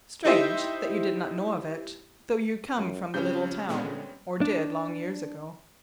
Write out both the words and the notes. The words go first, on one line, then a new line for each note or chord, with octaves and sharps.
Strange that you did not know of it, though you come from the little town--or did, long years ago.
D#4 E4 G4 C5 D#5 E5
F#2
C#3 F3 G3 C4 C#4 G6
A#2 D3 G#3 B3
D4